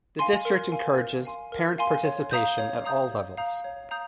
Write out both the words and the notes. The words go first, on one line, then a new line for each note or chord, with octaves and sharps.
The district encourages parent participation at all levels.
F5 G#5 C6
A#4
F5 G#5 C6
A#4
F5 G#5 C6
A#4
F5 G#5 C6
C#5
F5 A#5 D#6 G6
C#5
F5 A#5 D#6 G6
C#5
F5 A#5 D#6 G6
C#5
F5 A#5 D#6 G6